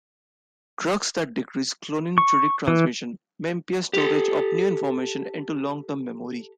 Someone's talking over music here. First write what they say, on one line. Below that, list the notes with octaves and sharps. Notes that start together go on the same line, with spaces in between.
Drugs that decrease cholinergic transmission may impair storage of new information into long-term memory.
C#6
E3
G4 A4